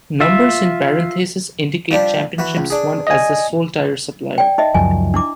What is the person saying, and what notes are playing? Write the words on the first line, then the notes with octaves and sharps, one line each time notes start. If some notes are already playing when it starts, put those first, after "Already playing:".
Numbers in parentheses indicate championships won as the sole tyre supplier.
F4 E5
F3 G3 D4
E3 F#4 B4
C#2
D4 G#4
D#5 G#5
D5 G5
D#4 D#5 E5
C#2 F#2 F3 G#5
D4 E4 D6